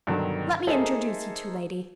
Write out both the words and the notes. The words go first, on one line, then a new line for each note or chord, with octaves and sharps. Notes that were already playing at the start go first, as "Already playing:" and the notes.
Let me introduce you two ladies.
G2 B2 D3 D#3 F#3 G3
A#3 D#4 G#4 A4 C5 E5